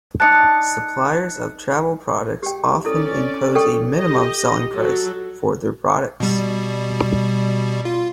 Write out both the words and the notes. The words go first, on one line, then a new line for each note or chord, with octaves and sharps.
Suppliers of travel products often impose a minimum selling price for their products.
D#4 D5 A5 F#6 C#7
G4 G5
C#4 E4 A4 D5
A4 G5 C#6
G4 D#5
F#3 A4
B2 G3
F4